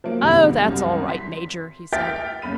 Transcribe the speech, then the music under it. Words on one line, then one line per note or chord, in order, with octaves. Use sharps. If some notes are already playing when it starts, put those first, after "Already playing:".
"Oh, that's all right, Major," he said.
F3 F#3 A#3
G1 C2 G#2 C3 D#3 G3
C2 F#2 G3
C6 B6
E5 G5 F6 G6 A6 B6
F#1 C#3 B5 D#7